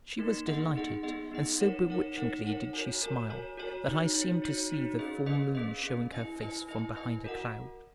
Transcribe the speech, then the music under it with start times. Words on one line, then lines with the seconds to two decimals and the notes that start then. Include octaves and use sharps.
She was delighted and so be witchingly did she smile that I seemed to see the full moon showing her face from behind a cloud.
0.19 A#3 D#4 A#4
0.47 B3 D#4 G#4 D#5 F#5
0.76 B3 D#4 G#4 D#5 F#5
1.03 B3 D#4 G#4 D#5 F#5
1.32 B3 D#4 G#4 D#5 F#5
1.60 D#4 A#4 C#5 F#5
1.88 D#4 A#4 C#5 F#5
2.16 D#4 A#4 C#5 F#5
2.45 D#4 A#4 C#5 F#5
2.73 F#4 A#4 C#5 G#5
3.01 F#4 A#4 C#5 G#5
3.29 F#4 A#4 C#5 G#5
3.57 F#4 A#4 C#5 G#5
3.86 D#4 F#4 C#5
4.14 D#4 F#4 C#5
4.42 D#4 F#4 C#5
4.70 D#4 F#4 C#5
4.99 C#4 G#4 B4 D#5
5.26 C#4 G#4 B4 D#5
5.55 C#4 G#4 B4 D#5
5.83 C#4 G#4 B4 D#5
6.12 E4 B4 D#5 G#5
6.40 E4 B4 D#5 G#5
6.68 E4 B4 D#5 G#5
6.96 E4 B4 D#5 G#5
7.24 F#4 A#4 D#5 F#5